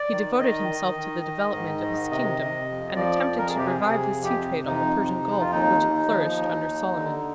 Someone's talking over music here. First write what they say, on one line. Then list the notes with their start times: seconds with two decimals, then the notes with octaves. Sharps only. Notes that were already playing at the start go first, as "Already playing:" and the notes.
He devoted himself to the development of his kingdom, and attempted to revive the sea trade on the Persian gulf which had flourished under Solomon.
Already playing: D5
0.12 D#3
0.40 D#3 D#5
0.69 D#3
0.98 D#3
1.26 D#3
1.54 G#2
1.82 D#3
2.11 C3 D#5
2.39 C3
2.68 F2
2.96 F3 D5
3.25 F2
3.38 A#4
3.48 G#4
3.53 C3 G4
3.67 G#4
3.81 C3 G#4
4.10 F2
4.24 G4
4.38 C3
4.66 F2 D#4
4.95 C3
5.24 F2
5.40 F4
5.52 D#2 D#4
5.81 D#2
6.09 F3
6.37 D#2
6.65 D#2
6.94 D3